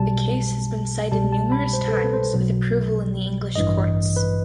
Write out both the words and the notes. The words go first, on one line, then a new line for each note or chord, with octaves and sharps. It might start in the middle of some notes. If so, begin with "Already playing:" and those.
The case has been cited numerous times with approval in the English courts.
Already playing: B1 B2 G3 A5
C2 B2 G3 A5
A5
B5
C5
A4
B4
C5
B1 B2 F#3
A1 G2 E3 D#5
B4